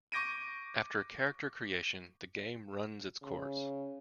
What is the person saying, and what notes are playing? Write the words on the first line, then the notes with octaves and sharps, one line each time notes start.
After character creation the game runs its course.
C#6 D6 G6 A#6 D7 D#7
C#3